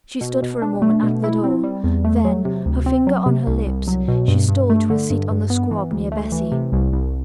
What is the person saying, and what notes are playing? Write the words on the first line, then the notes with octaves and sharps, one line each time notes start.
She stood for a moment at the door--then, her finger on her lips, she stole to a seat on the squab near Bessy.
B2
B2
D4
A3
B2
E4
C4
G3
E2
A3
F#3
C3
D2
C4
F#3
C3
C2
C2
F#3
B2
G2
G2
A3
D3
G2
G2
B3
E3
D2
A3
E3
C3
C2
C2